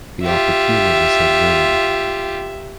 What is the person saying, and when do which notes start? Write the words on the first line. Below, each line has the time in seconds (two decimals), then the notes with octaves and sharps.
The operculum is unknown.
0.24 F4 G4 E5